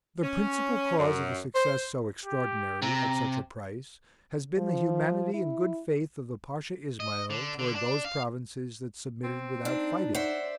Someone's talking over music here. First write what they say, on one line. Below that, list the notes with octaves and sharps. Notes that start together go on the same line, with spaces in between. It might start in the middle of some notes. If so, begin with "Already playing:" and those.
The principal cause of a success so extraordinary, at such a price, has been the humanity and good faith of the Pasha Ismael towards those provinces that submitted without fighting.
C#4
F#2
C5
G4
C3 A#5
F3
E4
D#5
D3
D3
D4
F5
C4
D4 D#4
C5 D5 E5 F#5